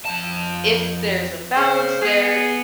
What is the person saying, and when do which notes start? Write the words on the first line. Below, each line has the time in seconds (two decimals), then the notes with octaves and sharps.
if there's a balance there
0.05 F2 A5
1.57 C#3 C5
2.01 B3 G#4